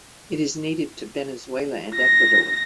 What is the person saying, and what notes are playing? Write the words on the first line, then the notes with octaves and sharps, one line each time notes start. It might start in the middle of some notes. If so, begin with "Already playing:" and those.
It is native to Venezuela and Ecuador.
A#6